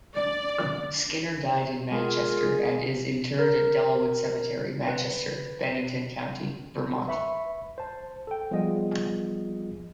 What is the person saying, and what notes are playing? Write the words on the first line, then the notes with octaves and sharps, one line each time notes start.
Skinner died in Manchester and is interred at Dellwood Cemetery, Manchester, Bennington County, Vermont.
D5
G#3 F4 G#4 A#4
A#4
B4
B4 E5 B5 C#6
C5 A5
A4 G5
F3 G3 B3 F4 G#4 D#5